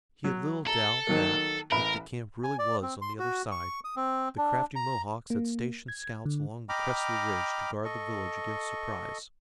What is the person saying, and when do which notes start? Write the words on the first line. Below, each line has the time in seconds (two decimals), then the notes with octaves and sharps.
He had little doubt that, if the camp really was on the other side, the crafty Mohawks had stationed scouts along the crest of the ridge to guard the village against surprise.
0.24 F#3
0.67 A4 A#5
1.07 D#3 F#3 A#3
1.72 A1 A#4 B5
2.44 G#5
2.59 D5
2.83 C4
3.02 C6
3.19 F#4
3.52 C#6
3.85 D#6
3.96 C4
4.38 D4
4.76 A#5
5.30 A#3
5.88 G#6
6.25 D3
6.69 D#5 G5 A#5 B5 D6 F6
7.84 A4 D#5 C#6